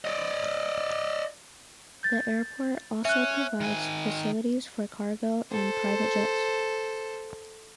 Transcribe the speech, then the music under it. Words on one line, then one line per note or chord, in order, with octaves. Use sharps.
The airport also provides facilities for cargo and private jets.
D5 D#5
G6 A6
C#4 E5 F#6
D#3 G#5
A4 C5